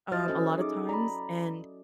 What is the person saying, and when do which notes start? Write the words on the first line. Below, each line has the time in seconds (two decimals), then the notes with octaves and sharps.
um, a lotta times. And
0.11 F#3 E4 C5 D#5 F6 A6
0.28 C#4 A4 D#5
0.58 D#4 G#4 D6
0.89 D5 A#5 B5